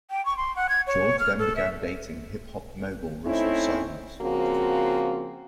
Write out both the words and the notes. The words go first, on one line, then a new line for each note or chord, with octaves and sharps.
George then began dating hip hop mogul Russell Simmons.
G5
C#6
C6
F#5
G#6
C#5
F6
A4
E5
A3 C4 C#4 D#4 E4
C#3 F3 A#3 C4 F#4